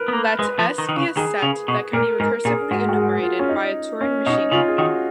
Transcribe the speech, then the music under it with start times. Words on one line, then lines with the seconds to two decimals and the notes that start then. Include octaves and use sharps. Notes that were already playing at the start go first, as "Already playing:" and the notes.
Let S be a set that can be recursively enumerated by a Turing machine.
Already playing: A#4 B4
0.08 B3
0.13 A#3
0.39 G#3 B4
0.59 F3
0.78 D#3
0.89 D#3
0.97 C#3
1.17 D#3 G#4
1.42 C#3
1.68 B2
1.93 A#2 A#4
2.20 G#2 A#4
2.45 A#2 G#4
2.71 G#2 F#4
2.89 F#4
2.97 G#4
3.23 F4
3.39 C#4
3.49 D#4
4.01 C#4
4.26 B2 D#4
4.52 C#3 F4
4.68 G#4
4.78 D#3 F#4